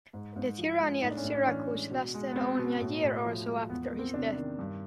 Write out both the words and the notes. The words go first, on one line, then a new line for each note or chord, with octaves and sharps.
The tyranny at Syracuse lasted only a year or so after his death.
G#2
G#2
F3
G#3
A2 D#4
D4
C#4
A2
D4
E3 C#4
G#3
B2
G#3
B3
G#3 C4
B2
A2
A2
F3
G#3
E2 B3
A#3
E2
C4
C3 D4
D#3
G2